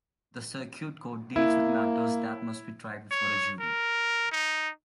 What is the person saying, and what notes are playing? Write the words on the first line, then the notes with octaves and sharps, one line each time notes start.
The Circuit Court deals with matters that must be tried before a jury.
A#3 E4
C#5
A#4
D#4